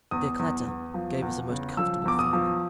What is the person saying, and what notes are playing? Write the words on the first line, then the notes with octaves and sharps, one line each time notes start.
Their clatter gave us a most comfortable feeling.
E2 D#6
E2
E2
F3
E2
C#3
F3 E6
E2 D6
D#6
F3